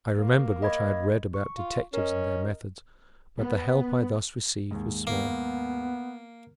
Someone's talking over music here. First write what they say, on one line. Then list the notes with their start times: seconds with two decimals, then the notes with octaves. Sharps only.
I remembered what I had read about detectives and their methods, but the help I thus received was small.
0.12 A#3
0.62 D#5 B5 G#6
1.34 C#6
1.57 F4
1.94 C#4 A#4 D#5
3.38 B3
4.71 D#2 G#2
5.07 A#3 B3